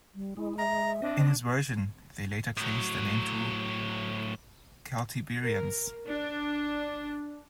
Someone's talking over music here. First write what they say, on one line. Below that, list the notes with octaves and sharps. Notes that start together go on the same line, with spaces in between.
In his version, they later changed their name to 'Celtiberians'.
G3
G#3 E4
E5 A#5
C4 D4 D#5
A2 F#3
A#4
D4